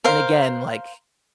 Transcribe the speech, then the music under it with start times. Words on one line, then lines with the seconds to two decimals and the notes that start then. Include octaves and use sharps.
and again, like,
0.04 A#4 C5 F5